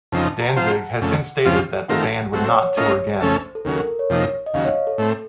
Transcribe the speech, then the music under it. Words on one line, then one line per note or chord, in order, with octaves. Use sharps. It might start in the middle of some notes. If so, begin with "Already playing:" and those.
Danzig had since stated that the band would not tour again.
F2 C#3 F3 C4 D#4 A5
A#5
A5
F3 C4 F4 C5 F#5
F2 C#3 A3
F2 C#3 F3 C4 F4
D#3 A3 C4 F4 A#4 F#5
F#3 A3 C4 F#5
C#5
C#5
A3 C#4 F4 A#4 D#5
F2 C#3 A3 C#4 A4 C5
A4
D#2 C#3 F#3 A#4
A#4
C#5
F2 C3 F3 A#3 D#4
D#5
D#2 C#3 F#3 F5
C#5
A4
A2 A3 C4